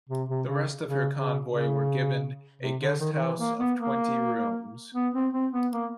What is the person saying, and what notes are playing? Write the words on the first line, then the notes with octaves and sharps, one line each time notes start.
The rest of her convoy were given a guest house of twenty rooms.
C3
C3
C#3
C#3
C#3
C#3
C3
D3
D#3
D#3
E3
A#3
B3
A#3
B3
C4
C4
B3
A#3